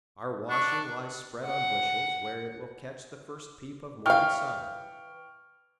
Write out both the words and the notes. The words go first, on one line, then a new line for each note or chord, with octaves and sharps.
Our washing lies spread on bushes, where it will catch the first peep of morning sun.
D4 C#6
F#5
E3 F5 G5 C#6 F6